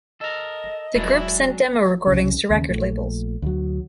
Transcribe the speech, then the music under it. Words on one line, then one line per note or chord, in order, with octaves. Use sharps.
The group sent demo recordings to record labels.
A4 A#4 D#5
E1 F#3 G#3 D4 E4
C2 C#3
D#2 C#3
A#1 A3
D2 F#3